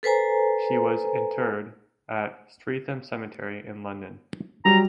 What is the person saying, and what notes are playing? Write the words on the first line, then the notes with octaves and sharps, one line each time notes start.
She was interred at Streatham Cemetery in London.
A4 B4 C5 G#5 A#5
F#3 G3 A#5